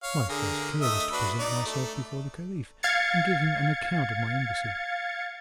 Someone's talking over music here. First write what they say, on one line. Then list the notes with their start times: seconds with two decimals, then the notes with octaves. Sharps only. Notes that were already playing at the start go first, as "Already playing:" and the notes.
My first care was to present myself before the Caliph, and give him an account of my embassy.
0.03 C#5 F5
0.29 D3 G#4 A#4
0.82 A3 D#5 E5
1.12 D4 F#4 B4
1.39 D#4 D5
1.66 A3
2.83 F5 G#6 A6 C#7